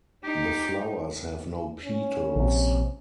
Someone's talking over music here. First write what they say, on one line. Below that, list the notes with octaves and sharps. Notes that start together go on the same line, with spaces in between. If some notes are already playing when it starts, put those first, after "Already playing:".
The flowers have no petals.
D#4 G4
C#4
A#1 C3